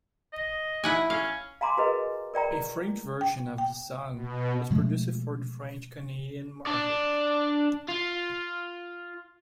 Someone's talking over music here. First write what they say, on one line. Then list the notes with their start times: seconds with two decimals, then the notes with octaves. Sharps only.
A French version of the song was produced for the French Canadian market.
0.33 D#5
0.84 E4 F#5 G#5
1.10 C#4 F5
1.61 F5 G#5 A#5 C6 D6
1.77 F#4 G#4 A#4 B4 D#5
2.34 A#4 D5 G5 A#5
3.21 G5
3.58 G5
4.14 B2
4.71 B2 F3 G#3 A3
6.66 D4 D5
7.88 F4